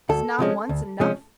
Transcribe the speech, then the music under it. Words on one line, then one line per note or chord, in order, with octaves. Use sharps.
Is not once enough?
D2 A4
C3 F3 G#3 C#4
D2
C3 F3 G#3 C#4